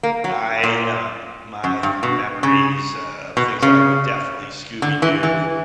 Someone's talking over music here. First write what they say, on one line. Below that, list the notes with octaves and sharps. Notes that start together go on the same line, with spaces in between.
I, um my memories, uh, of things that I would definitely Scooby Doo
A#3
F#3
A#2
F#2
G2
B2
C#3
B2
C#3
D3
E3
E3